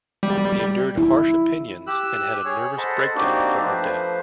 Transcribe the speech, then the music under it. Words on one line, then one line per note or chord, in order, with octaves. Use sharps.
He endured harsh opinions and had a nervous breakdown from her death.
G3
E4
G4 E6 F#6
G#4 C#5
A4 C5 D#5 F#5 A5 B5
A#3 C4 D4 D#4 F#4 G4
F3 A3 B4 C5